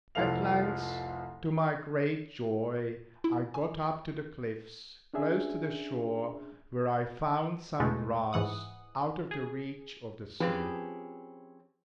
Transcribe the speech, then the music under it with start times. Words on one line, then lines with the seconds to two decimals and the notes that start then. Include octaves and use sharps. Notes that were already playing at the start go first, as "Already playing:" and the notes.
At length, to my great joy, I got up to the cliffs close to the shore, where I found some grass, out of the reach of the sea.
0.15 F1 C2 F3 A4 F5 F7
3.24 E4
3.54 G#5
5.14 C#4 D4 G#4 E5 G#5
7.80 E2 B2 G#3 A3
8.33 G#2 E3 F#5 D#6
9.31 G#4
10.40 F3 C4 C#4 G4 G#4 B4